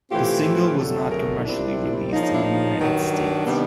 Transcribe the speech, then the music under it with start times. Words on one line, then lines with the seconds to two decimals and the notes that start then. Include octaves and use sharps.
The single was not commercially released in the United States.
0.10 A2 E3 A3 C4 F4 G4
0.44 G4
0.55 F#4
0.65 F4 G4
0.77 F2 D3 F#3 A3 G4 A4
1.11 G#4 A#4
1.38 D#4
1.44 A#2 G3 C4 D4 E4
2.11 C#3 F3 A#3 D#4
2.23 D#4
2.34 D4 E4
2.45 D#4
2.79 G2 D#3 F#3
3.12 D4
3.45 C3 D#3 G3 B3